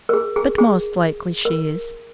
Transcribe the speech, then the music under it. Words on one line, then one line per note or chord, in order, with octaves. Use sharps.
But most likely she is.
A#4
G#4
G#4
G#4
A#4